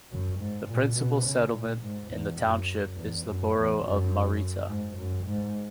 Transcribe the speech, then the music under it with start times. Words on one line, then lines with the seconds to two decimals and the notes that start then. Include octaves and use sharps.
The principal settlement in the township is the borough of Marietta.
0.11 F#2
0.39 G#2
0.68 A#2
0.96 B2
1.25 C#3
1.54 A#2
1.83 G#2
2.11 E2
2.40 F#2
2.97 E2
3.26 F#2
3.54 E2
3.83 F#2
4.69 G#2
4.98 F#2
5.27 G#2